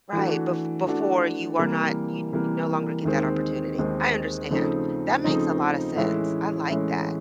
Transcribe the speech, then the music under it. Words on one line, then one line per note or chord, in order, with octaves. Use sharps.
Right, bef before, you are not you no longer get that opportunity. I understand. That makes a lot of sense. I like that.
E3 A3 D4 F#4
E3 A3 D4 F#4
C3 E3 G3 A#3
C3 E3 G3 A#3
D#2 D#3 G#3 C4
D#2 D#3 G#3 C4
C#3 F3 A3 C4 D#4
C#3 F3 A3 C4 D#4
A2 E3 G#3 C#4 E4
A2 E3 G#3 C#4 E4